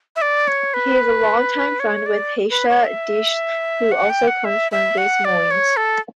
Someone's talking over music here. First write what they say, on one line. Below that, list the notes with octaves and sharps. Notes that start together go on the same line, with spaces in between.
He is a long-time friend with Haysha Deitsch, who also comes from Des Moines.
E5
D5
C#5
B4
C#5
D5
B4
C#5
E5
F#5
G5
F#5
E5
E5
F#5
D5
C#5
A4